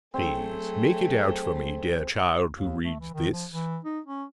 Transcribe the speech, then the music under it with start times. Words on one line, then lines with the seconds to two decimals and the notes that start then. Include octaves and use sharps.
Please make it out for me, dear Child who reads this!
0.14 F#3 A3 C4 G#4
2.55 D#2
2.83 A3
3.00 E3
3.14 D#3
3.32 F3
3.51 E3
3.85 D#4
4.07 C#4